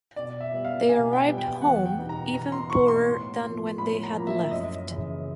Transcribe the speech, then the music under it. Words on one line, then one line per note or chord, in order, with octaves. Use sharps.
They arrived home even poorer than when they had left.
B2 D5
E5
G3 B3
F5
B2 G#5
G5
G3 B3
G5
E2 F#5
G5
B2 G3 B3 D#4
A#5
E2 A#5
C6
B2 G3 B3 D#4 C#6
C6
A2
F3 A#3
A2 B5
A#5
F3 A#3
E5
F#2 D#5
C#3 E3